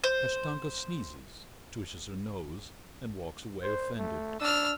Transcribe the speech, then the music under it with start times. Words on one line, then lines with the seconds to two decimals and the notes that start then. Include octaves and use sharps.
Kashtanka sneezes, twitches her nose, and walks away offended.
0.04 C5
3.63 C5
3.97 A3
4.40 D4 E6 F6